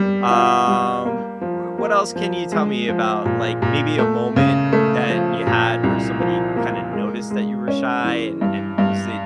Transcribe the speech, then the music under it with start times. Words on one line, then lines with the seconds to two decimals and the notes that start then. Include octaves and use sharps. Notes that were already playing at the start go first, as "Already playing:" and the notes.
Um, w what else can you tell me about, like, maybe a moment that you had where somebody kinda noticed that you were shy, and and was it
Already playing: G3
0.31 F4
0.68 G3
1.05 A#3
1.41 F3
1.78 A#3
2.16 F3
2.52 G#3
2.89 F3
3.25 A#2
3.62 A#2
3.99 A3
4.36 C#3
4.73 A3
5.10 F3
5.47 A#2
5.83 C2
6.20 F3
6.56 A#3
6.93 G#3
7.30 G#3
7.68 C#4
8.05 E3
8.41 G2
8.78 G2